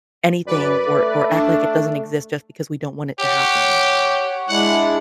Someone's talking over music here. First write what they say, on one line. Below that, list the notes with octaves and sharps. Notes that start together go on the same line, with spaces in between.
anything or or act like it doesn't exist just because we don't want it to happen.
F#2 B4 D5
A3
D4
G4 C#5 F#5
G#3 D4 E4 F#5